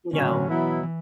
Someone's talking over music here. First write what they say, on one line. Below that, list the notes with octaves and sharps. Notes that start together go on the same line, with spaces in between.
you know?
A2 D3 F#3 C#4
D3
B2 E3 F#3 B3 E4
E3